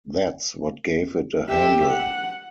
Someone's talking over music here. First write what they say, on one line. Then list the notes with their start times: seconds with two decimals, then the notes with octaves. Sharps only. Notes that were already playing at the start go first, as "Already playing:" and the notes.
That's what gave it a handle.
1.49 G4 E5
1.91 F#5